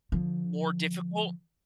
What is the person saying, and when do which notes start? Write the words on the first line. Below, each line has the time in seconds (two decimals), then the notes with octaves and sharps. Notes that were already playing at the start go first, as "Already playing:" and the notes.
more difficult.
0.12 D3 F3